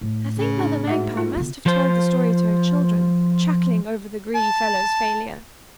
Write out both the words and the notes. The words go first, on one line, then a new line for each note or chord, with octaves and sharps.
I think Mother Magpie must have told the story to her children, chuckling over the greedy fellow's failure.
A2
C#3
D4
G#2 F#4 E5 F#5
F4
D3 B3
F3 C5
A5